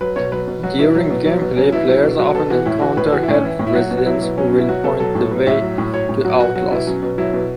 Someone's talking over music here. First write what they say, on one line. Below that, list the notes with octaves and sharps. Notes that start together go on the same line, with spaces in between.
During gameplay, players often encounter helpful residents who will point the way to outlaws.
F#3 B4
B2 C#5
F#3 B4
B2
F#3 F#4
B2 E4
F#3
B2
F#3
B2
F#3 C#4
B2 E4
F#3
B2
F#3 F#4
B2 A4
E3 F#4
A2 E4
E3 F#4
A2 B4
A4
E3 F#4
E4
A2
C#4
E3 E4
A2
E4
F#3 F#4
B2
F#4
F#3 E4
B2
F#3 C#4
C#4
B2 E4
F#3 F#4
B2 A4
F#3 A4
A2
F#3 B4
A2 E5
F#3
A2
F#3 C#5
A2
F#3 F#4
B2 F#4
F#3 F#4
B2 E4
F#3 C#4
B2
F#3 E4
B2